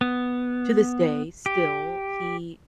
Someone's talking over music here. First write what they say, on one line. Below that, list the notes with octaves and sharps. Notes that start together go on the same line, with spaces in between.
to this day, still, he
B3
G4